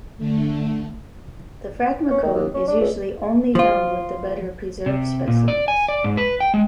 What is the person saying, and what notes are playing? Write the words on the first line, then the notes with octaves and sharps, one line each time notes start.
The phragmocone is usually only found with the better preserved specimens.
D3 A3
C#4
D#3
D#2
C#4
D4
C#2
F3 F4
C3
A#2
D5
G#5
D5
G#2
B4
G5
G#3